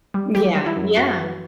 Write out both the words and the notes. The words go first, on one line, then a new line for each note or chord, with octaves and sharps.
Yeah, yeah.
G3
E3 G4
G3
E4
F#2
F#2 F#4
E3